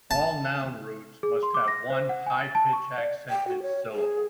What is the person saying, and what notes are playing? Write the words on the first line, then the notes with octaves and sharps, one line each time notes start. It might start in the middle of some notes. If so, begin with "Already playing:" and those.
All noun roots must have one high-pitch accented syllable.
A5
G#4
C6
D6
A#6
C5
F#5
G#5
A6
A5
C#6
D5
G5
F#4
C#5
G#4